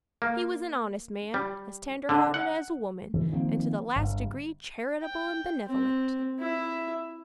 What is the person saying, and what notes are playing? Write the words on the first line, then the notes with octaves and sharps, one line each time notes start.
He was an honest man, as tender-hearted as a woman, and to the last degree charitable and benevolent.
A#3
G3
D3
F#5
E3
D#3 F3 A#3 C4
G1
G5
C4
E4 E5